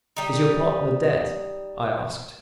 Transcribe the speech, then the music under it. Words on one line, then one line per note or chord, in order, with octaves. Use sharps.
"Is your partner dead?" I asked.
G3 D#4